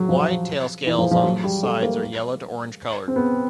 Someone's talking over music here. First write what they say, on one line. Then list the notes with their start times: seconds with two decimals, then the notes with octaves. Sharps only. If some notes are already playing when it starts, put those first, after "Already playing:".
The wide tail scales on the sides are yellow to orange coloured.
Already playing: F#3
0.09 F3
0.87 E3
0.99 F3
1.11 F3
1.24 F#3
1.44 G3
1.63 A3
1.82 A#3
3.08 C4
3.16 B3